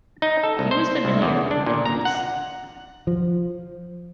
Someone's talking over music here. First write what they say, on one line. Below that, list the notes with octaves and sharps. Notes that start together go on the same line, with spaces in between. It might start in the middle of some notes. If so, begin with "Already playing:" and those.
He was familiar with the Middle East.
D#4
A4
C2
C5
C2
E2
D4
A#2
A#5
F#5
F3